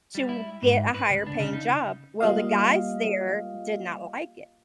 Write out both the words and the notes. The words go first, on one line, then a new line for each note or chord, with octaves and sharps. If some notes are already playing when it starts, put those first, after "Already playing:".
to get a higher paying job. Well, the guys there did not like it
G3
E4
G#2
B4
C#2
D4
C#3
D#4
G3 A#3 F4 D#5 F5